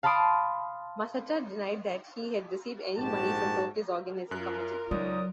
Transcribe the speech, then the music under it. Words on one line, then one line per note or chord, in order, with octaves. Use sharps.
Massata denied that he had received any money from Tokyo's organizing committee.
F5 A5 B5 C6 D#6 D7
A#1 G#2 F#4 G4 A5
F#2 F4 A#4 F#6
C#2 F#3 D#4 C#5 D5 D#6